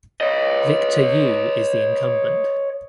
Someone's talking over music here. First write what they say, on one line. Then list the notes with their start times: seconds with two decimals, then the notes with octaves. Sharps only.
Victor Yu is the incumbent.
0.21 C#5 D#5